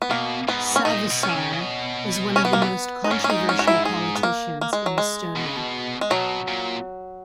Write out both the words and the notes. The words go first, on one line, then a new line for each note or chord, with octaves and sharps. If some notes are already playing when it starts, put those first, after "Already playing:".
Savisaar is one of the most controversial politicians in Estonia.
B3
B2 A#3
G#2 B3
C#4
A#2 D#4
B2
C#4
D#3
C#3
C#3
B2
C#4
B3
A#3
B3
D#4
G#2 C#4
C#4
D#4
C#4
F#4
E4
G#4
B3
A#3
A#3
G#3
F#3
G#3
B2
C#3
B2
G#3
B2 F#3
A#2